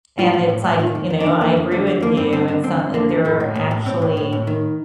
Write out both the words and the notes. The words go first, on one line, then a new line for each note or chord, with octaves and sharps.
And it's like, you know, I agree with you. It's not like they're actually
A2 F4
A2
A2
A2
D#3 F4
F2
D#3
D4
F2
D3 A#3
F2
D3 A3
F2
D3 A#3
G2 C4
D3 C4
G2 D4
D3 C4
F2
D3 A#3
F2
A2 A3
A2
A2
A2
A2 C4
A2
A2
A2
D#3